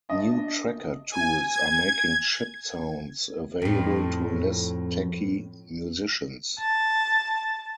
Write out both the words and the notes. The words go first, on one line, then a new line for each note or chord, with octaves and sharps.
New tracker tools are making chip sounds available to less techy musicians.
D4 D#5
G#5
G#6
F2 A2
A5